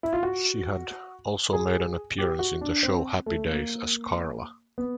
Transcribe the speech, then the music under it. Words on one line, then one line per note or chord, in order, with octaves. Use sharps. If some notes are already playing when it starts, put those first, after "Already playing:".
She had also made an appearance in the show "Happy Days" as Carla.
E4
F4
F#4
G#4
G4
F#4
D4
C4
A3
A#3
B3